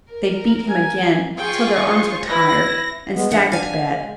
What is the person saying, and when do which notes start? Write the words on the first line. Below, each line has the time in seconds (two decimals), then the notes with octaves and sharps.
They beat him again, till their arms were tired, and staggered to bed.
0.10 A#4
0.67 G#5
1.37 F4 G#4 G5 C#6
1.89 C5
2.27 E4 B4 A#6
3.14 G#3 B3
3.32 D4 F#5
3.52 F5 G#5
4.01 C#3 G#3